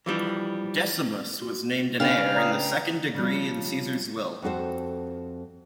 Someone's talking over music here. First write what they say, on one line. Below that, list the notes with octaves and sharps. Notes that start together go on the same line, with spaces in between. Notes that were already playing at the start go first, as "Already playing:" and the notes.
Decimus was named an heir in the second degree in Caesar's will.
E3 F3 G3 D4
F#4
C#3 D4 G4 B4 F5 G5 F7
D5 A#5 D#6
C#3 F3 G3
F2 C4 F#4 A4 C5